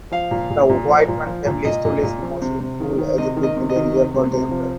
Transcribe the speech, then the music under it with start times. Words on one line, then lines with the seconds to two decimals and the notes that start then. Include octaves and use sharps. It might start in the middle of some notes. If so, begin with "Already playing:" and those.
The Whiteman family established Mussel Pool as a picnic area for their employees.
0.11 F3 F5
0.31 A#2
0.50 A#2
0.70 A#2
0.89 F3
1.08 A#2
1.27 F3
1.46 A#2
1.65 A#2 D#5
1.85 A#2
2.03 A#2
2.22 F3
2.42 C3
2.60 C3
2.80 D#3
2.98 D#3
3.18 C3 D#5
3.36 D#3
3.43 D#5
3.57 C3
3.70 D#5
3.76 D#3
3.95 C3
4.14 C3
4.33 C3
4.51 F3